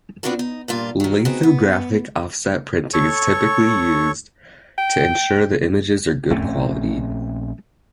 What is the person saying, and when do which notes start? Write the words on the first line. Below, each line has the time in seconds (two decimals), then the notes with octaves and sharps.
Lithographic offset printing is typically used, to ensure the images are good quality.
0.23 B3 C4 D4 F4 F#4 A4
0.39 D#4
0.68 G2 A#2 F4
1.00 D#3 F#3
1.25 B3 C4 D#4 F#4 G#4
1.43 B3
2.93 A4 C#5 C#6
4.78 G5
6.30 A#1 A3 C4 C#4